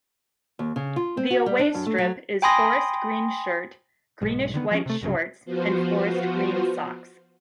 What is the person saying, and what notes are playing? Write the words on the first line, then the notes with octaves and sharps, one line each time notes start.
The away strip is forest green shirt, greenish-white shorts, and forest green socks.
D#2
C#3
F4
C4
F#4
G3
D4
F#2
A3
F#3
G5 G#5 B5 C6 D#6 A#6
B1 G#2
D3 D#3 B3
F3 C#4
C3 A3
C2 G2 C#3 F#3
F3 B3 F4 F#4 C5